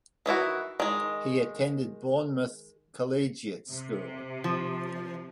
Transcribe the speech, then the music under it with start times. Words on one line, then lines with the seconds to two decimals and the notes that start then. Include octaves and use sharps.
He attended Bournemouth Collegiate School.
0.26 D#3 E3 E4 F#4
0.80 D#3 G#3
3.71 C3
4.44 F3